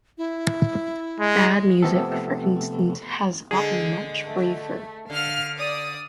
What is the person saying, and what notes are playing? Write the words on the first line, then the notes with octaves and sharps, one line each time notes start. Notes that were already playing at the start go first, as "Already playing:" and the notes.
Bad music, for instance, has gotten much briefer.
E4
G#3
C3 F3 A3 B3 C4 A4
D3 G#3 G#4
A3
D3 F5 F6
D5 D#6